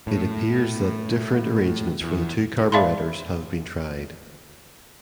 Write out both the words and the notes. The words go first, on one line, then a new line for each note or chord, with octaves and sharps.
It appears that different arrangements for the two carburettors have been tried.
A2
E2
D5 E5 F5 A5 B5 C6